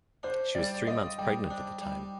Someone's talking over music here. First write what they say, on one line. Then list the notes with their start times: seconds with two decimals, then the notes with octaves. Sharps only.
She was three months pregnant at the time.
0.23 D4 C5
0.55 G3 D5
0.87 F4 D#5
1.18 G3 G5
1.50 D4
1.82 G3